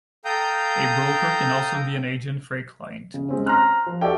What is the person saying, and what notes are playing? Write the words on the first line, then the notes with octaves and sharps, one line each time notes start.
A broker can also be an agent for a client.
A4 F5 G5 A#5 D#6 G6
C#3
G#3 C4 C#4
A#5 C6 F6 F#6
F3
F#4 G4 A4 D5 E5 G5